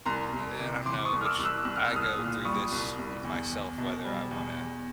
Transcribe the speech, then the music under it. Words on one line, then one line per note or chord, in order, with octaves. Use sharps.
eh, and I know which I go through this with myself whether I wanna,
C2 A#5 C6
C2
C3
E3 C6 D6
C#6 D#6
C2
F6
D6 E6
C2
E6 F#6
C2 F#6
F6
E6
C2 D#6 F6
A#2
G3 C#6 D#6
C2
C2
E2
E2
B2
G3
E2
E2